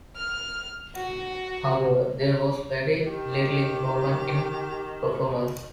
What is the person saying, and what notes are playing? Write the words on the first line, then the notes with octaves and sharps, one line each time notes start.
However, there was very little improvement in performance.
F6
F#4
D#3 G4